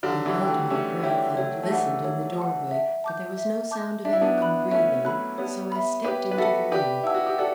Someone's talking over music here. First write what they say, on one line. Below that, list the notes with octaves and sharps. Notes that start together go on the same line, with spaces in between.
I held my breath and listened in the doorway, but there was no sound of any one breathing, so I stepped into the room.
D3 F#3 G4
E3 G3
C#5 G5
F#3 A3
A3 C#4 G4
E4 G4 C#5 G5
F#3 A3 C#5
A3
E3 G3 F#5 A5
F#3 A3 C#5
F#5 A5
E5
A5 D6 G6
E5
A5 D6 G6
D4 E5
E4
B3 D4
B5 F#6
A3 C#4 E5
F#3 A3 B5 F#6
G3 B3 C#5
E5 B5
G4 B4 C#5
B4
F#4 A4 E5 B5
G4 B4 D5
E4 F#5 A5 E6
F#4
G4
F#4 A4 D5